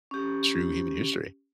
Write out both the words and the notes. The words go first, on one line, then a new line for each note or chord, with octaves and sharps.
true human history.
C#4 G4